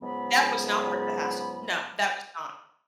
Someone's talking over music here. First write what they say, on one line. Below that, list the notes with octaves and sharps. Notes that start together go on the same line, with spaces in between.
That was not worth the hassle. No. That was not.
C#2 G#2 F#3 B3 B5